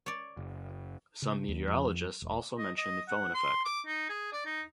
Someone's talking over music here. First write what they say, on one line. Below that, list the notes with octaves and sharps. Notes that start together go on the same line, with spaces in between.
Some meteorologists also mention the foehn effect.
C#5 D5
F#1
C#3
D#2
F2
E1
D#5
D#5
F#5
C6
D6
D#4
G#4
D5
D#4